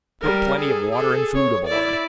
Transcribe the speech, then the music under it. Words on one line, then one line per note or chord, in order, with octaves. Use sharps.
"Put plenty of water and food aboard."
G3 A#4
G#4 A4
G#4 A4
C#5
E4 D5